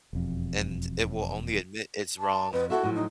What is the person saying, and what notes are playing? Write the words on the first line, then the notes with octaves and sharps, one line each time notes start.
and it will only admit it's wrong
E1 F2
A5
F2 B4
E4 F#4 A4 E5
A2 F3 F#3
D#4